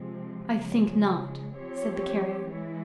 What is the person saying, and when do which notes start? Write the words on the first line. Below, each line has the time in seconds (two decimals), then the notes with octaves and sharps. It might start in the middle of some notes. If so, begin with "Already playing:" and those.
"I think not," said the Carrier.
Already playing: C3 F3 G#3 C4
0.58 C#3 F3 G#3
1.54 F3 C4 G4 C#5
2.48 E3 G#3 E4